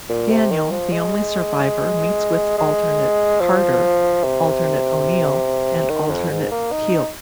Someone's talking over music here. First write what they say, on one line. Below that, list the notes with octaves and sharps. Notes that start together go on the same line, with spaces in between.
Daniel, the only survivor, meets with alternate Carter, alternate O'Neill and alternate Teal'c.
A#2
C3
D#3
F3
G#3
G#3
F3
C3
D#3
F2
G#2
A#3
D#4